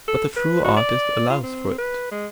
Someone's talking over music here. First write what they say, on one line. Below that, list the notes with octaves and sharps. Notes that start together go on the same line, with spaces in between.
But the true artist allows for it.
A4
B4
F#4
D5
F4
C4
B4
G#3